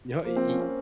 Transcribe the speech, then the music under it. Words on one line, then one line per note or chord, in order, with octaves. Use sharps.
No, e e
F3 A#3
C4
C#4
C4